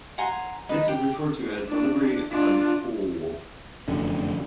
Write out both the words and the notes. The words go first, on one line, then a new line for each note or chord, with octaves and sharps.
This is referred to as "delivery en caul".
F#5 G#5 A#5 C6
D#4 B4 B5
G4
D4
D4 F4
F1 F#2 D3